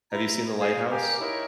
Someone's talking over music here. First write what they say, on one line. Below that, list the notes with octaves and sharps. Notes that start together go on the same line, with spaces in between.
Have you seen The Lighthouse?
E4 A#5
G#4 C5 F5
G4 A#4 F5 G#5
D#4 E4 A#4 C#5